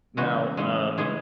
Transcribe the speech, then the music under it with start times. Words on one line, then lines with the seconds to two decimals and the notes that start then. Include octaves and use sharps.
Now, um,
0.17 C#3 E3 G#3 F#4
0.57 C#3 E3 G#3
0.98 C#3 E3 G#3 G#4